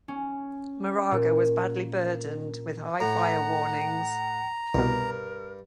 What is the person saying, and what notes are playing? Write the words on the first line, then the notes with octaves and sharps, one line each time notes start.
Moraga was badly burdened, with high fire warnings.
C#4
A#2
A2 F#5 A#5
C2 G2 B2 A#4